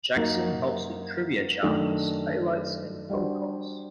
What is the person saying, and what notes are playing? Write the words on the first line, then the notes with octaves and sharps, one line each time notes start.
Jackson helps with trivia challenges, highlights and phone calls.
F#2 F#3 A#3 D#4 F#4
F#2 D#3 A3 D4
G3 D4 F#4 C5